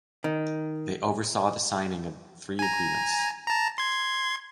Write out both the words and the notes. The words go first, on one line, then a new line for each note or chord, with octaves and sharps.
They oversaw the signing of three agreements.
D#3
G#5 A#5
A5 A#5
C6 G#6